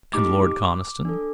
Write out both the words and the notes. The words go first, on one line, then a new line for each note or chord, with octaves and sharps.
"And Lord Conniston?"
A3 D#4 G4 D6
D4 A4